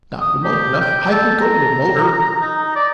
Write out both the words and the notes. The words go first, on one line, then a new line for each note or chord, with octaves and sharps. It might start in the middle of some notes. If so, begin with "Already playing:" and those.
If not remote enough, I can go remoter.
D#6
G4
G5
A4
A#5
D#4
D5